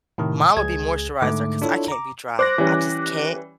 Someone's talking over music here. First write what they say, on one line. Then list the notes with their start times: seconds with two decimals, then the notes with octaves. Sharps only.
Mine would be moisturizer 'cause I can't be dry. I just can't
0.18 A2 C3 D#3
0.57 C#2 G#4 G#6
1.22 G#2 D3 A3 D6
1.62 D4 E4 F4 A4 C#5
1.88 A#5 D6
2.39 C5 D6 F#6 A#6
2.58 E3 G3 C#4